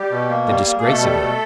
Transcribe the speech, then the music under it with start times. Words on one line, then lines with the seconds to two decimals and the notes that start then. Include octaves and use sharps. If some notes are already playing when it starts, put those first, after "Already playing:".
The disgrace of it!
Already playing: G3 G4
0.11 B2
0.30 A#3
0.47 G3
0.66 A#3
0.78 G#4
0.84 B2 A3 A4
1.01 G3
1.20 B2